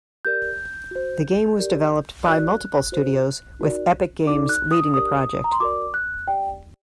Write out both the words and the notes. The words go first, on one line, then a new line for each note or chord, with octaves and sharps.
The game was developed by multiple studios, with Epic Games leading the project.
G4 A#4 D5 G6
F#4 C5
G4 A#4 D5
F#4 A#4 D5 F#6
F#4 C5
D#4 F#4 A#4 D5
D#4 F#4 A4 D5 D6
F#6
D#6
D4 G4 A#4 D5 D#6
A#5
C6
F#4 A#4 D5 D6
F#6
G4 D5 G5